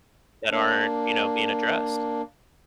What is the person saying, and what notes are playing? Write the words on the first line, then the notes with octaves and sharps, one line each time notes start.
that aren't, you know, being addressed.
A#3 D4